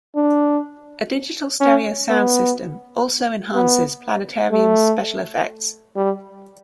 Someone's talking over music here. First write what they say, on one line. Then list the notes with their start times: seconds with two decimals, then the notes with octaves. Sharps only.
A digital stereo sound system also enhances planetarium's special effects.
0.16 D4
1.61 C#4
2.10 B3
3.55 B3
4.51 A3
5.96 G3